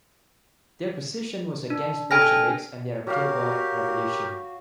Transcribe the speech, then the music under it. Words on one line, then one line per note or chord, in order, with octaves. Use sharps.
Their position was against Bolsheviks and their October Revolution.
D4
D4 A4 G5 G#5 F6 A#6
F#3 F#4 G4 A#4 F5